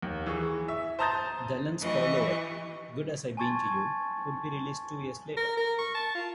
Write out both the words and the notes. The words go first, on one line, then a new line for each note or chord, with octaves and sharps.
Dylan's follow-up "Good As I Been to You" would be released two years later.
D#2
E3 G#4 C#6
E5
C5 A5 A#5 D#6 G6 A6
E3 G4 D#5 C#6
G#5 A5 C6 C#6 G#6 A6
A#4
A#4
C#6
A5
F4